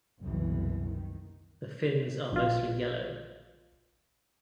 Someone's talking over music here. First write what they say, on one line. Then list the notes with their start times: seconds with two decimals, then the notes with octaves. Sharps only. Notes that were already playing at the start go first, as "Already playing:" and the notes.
The fins are mostly yellow.
0.21 F#1 C2 B2 E3
0.87 D#3
2.32 A#1 F4